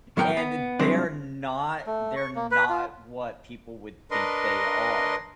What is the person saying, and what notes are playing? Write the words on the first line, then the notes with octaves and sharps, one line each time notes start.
and th they're not they're not what people would think they are,
A2 F#3 B3 A#4 F#5 G5
B3
C2 F#3 G#3 C4 D4
A3
C#6
A#3
B4
F4
D4 A#4 B4 D#5 C6